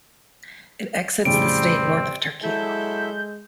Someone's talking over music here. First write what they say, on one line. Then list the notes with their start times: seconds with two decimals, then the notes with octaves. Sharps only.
It exits the state north of Tarkio.
1.25 F2 A2 C#3 G3 C4 D7
2.43 F#3 G#3 E4 A4 E5 G6